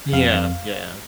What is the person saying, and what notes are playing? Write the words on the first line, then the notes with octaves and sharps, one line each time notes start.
Yeah, yeah.
F2 F5
F2